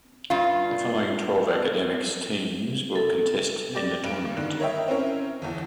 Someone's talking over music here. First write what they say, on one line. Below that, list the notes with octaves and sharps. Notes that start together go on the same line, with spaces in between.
The following twelve academics teams will contest in the tournament.
G2 F4
A4
G4 D5 A#6
G2 D7
G2 D3 D#3
A#4 C#5 D#5 E5 G5
C4 C#4 E4 A#4 C#5
G1 E2